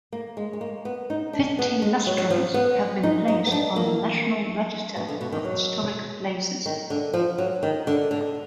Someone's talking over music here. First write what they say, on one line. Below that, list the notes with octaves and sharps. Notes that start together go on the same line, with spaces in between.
Fifty Lustrons have been placed on the National Register of Historic Places.
A#3
G#3
G#3
A#3
B3
D#4
D4
B3
G#3
F#3
F#3
F3
B3
D#4
D#4
B3
D4
A#3
B2
D3
B2
D#3
F#3
D#3
D3
F3
F#3
D#3
D3
D3